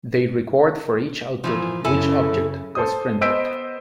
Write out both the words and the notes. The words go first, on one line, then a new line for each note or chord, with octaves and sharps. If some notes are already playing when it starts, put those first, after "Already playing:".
They record for each output which object was printed.
A#2 E3 F3
F#2 C#3 E4 A4 G#5
A4 C5 D#6
B3 C5 D#5 E6 B6 D7